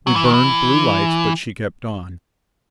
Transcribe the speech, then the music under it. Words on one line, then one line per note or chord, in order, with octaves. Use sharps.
We burned blue lights, but she kept on.
F#3
E3
D#3
E3